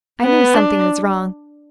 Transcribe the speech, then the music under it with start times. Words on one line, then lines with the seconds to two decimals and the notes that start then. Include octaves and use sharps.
I knew something was wrong.
0.22 B3
0.54 D4